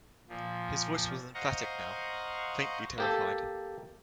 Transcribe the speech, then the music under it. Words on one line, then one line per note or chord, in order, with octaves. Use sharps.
His voice was emphatic now, faintly terrified.
A#2 F3
C5 D#5 F5 F#5 A#5 C#6
A#3 G4 A4